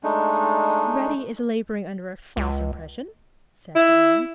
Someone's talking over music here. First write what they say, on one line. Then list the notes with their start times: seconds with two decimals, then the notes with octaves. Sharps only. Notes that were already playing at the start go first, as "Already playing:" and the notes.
"Reddy is laboring under a false impression," said Anne.
0.03 G#3 A3 D4 D#4
2.37 C#2
3.76 E4